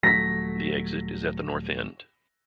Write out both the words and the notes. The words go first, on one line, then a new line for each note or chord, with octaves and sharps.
The exit is at the north end.
D#1 F#3 A3 A#6 B6